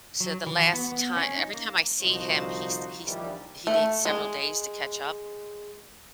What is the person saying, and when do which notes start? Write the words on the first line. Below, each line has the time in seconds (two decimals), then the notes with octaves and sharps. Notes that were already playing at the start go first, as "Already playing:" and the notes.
So the last ti every time I see him, he's he's he needs several days to catch up
0.20 F#3
0.47 E3
0.59 F#4
0.73 B3
0.92 B3
1.17 C#4
1.37 D#4
1.53 A#3
2.01 C2 D3 F3 D#4 F#4 C5
3.06 A#1 D#2 E3 G3
3.67 A3
4.05 G#3